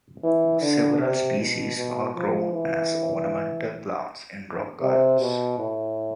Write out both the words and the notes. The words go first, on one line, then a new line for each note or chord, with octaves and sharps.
Several species are grown as ornamental plants in rock gardens.
E3
D3
C3
B2
B2
F3
E3
C3
B2
A2